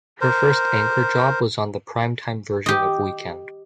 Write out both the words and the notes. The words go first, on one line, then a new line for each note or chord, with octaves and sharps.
Her first anchor job was on the prime-time version of "Weekend".
A#4 C5
G4 D#5